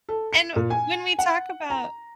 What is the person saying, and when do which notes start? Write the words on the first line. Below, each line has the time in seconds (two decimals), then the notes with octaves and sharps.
And when we talk about
0.09 A4
0.33 C#7
0.56 A#2
0.70 G#5
1.19 F#5
1.70 A#5